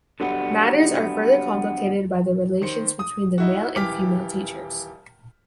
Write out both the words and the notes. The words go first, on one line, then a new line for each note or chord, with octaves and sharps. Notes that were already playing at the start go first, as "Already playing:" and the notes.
Matters are further complicated by the relations between the male and female teachers.
D3 F#3 G3 B3
D#3 C5 C#7
D#6
D#4 E4 F#4
D#1 E3 G4 D6 F6 B6